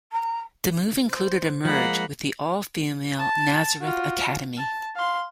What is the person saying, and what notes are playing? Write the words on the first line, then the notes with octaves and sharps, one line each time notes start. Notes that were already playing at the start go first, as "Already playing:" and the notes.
The move included a merge with the all-female Nazareth Academy.
A#5
C5
F3 G#3 A#3 F#5 B5
A5
F4 F#4
A5
F5 C6